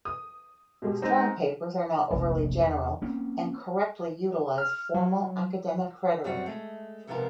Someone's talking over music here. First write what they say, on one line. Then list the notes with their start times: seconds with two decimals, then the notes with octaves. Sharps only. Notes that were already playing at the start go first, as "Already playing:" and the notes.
Strong papers are not overly general and correctly utilize formal academic rhetoric.
0.05 D#6
0.82 B2 G#3 G4
1.02 G#3 C4 D#4
2.10 F1 A#1
2.61 E2
3.02 A#3 C4 C#4
4.58 F6
4.94 F#3
6.24 F#2 G3 C4 F#4
6.46 G#3 A3
7.07 G#2 C3 F3 B3 F4 A#4